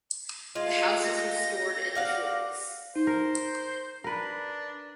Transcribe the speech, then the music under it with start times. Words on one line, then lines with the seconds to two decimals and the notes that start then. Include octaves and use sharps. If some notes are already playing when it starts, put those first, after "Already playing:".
The house was restored in the forties.
0.55 G#3 F4
1.05 G4 A#6
1.95 D5 F5 F#5
2.96 D#4 C5
3.07 A#4
4.04 D4 A#4 B4